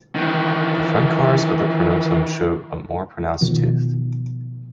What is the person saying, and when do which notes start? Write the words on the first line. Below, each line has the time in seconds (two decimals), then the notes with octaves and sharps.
The front corners of the pronotum show a more pronounced tooth.
0.15 D#3 E3
3.41 B2 D#3 F3